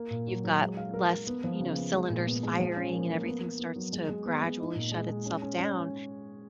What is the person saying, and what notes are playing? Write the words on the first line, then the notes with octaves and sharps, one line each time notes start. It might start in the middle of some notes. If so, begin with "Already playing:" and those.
you've got less f you know, cylinders firing and everything starts to gradually shut itself down,
Already playing: A#3
A#2
F#3
F#3
G#3
F5
A#4
A#4
B3
F3
C#3
B3
G#3
A#2
B3
G#3
F3
C#4
A#3
A#3
B3
B3
B3
F#3
G#3
G#3
B3
G#3
D#4
A#2
G#3
G#3
C#4
C#4
C#4